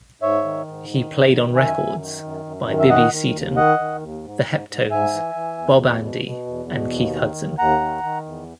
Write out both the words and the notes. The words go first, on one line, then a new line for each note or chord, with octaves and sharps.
He played on records by Bibi Seaton, The Heptones, Bob Andy and Keith Hudson.
G#2 C#5 E5
D#3
G#2
D#3
G#2
D#3
F#2 E5 G#5
F#2
D#3
F#2
F#2
D#3
E5
D#3 D#5 F#5
D#3
D#2
D#3 D#5 F#5
D#3
D#2
G#2
G#2
G#2
G#2 E5 G#5
E3
E3
E2
B2
B2
B2
E2
B2
D#2
D#3
D#2
D#2 F#5 A#5
D#3
D#3
E2